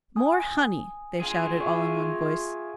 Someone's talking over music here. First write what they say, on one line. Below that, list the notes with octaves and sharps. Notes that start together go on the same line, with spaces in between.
"More honey!" they shouted, all in one voice.
G#5 D#6
F4 G#4
E5 C#6